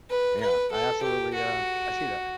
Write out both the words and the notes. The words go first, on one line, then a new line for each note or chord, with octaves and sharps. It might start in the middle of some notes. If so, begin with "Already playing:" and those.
Yeah. I absolutely, uh, I see that.
B4
B4
A4
G4
F#4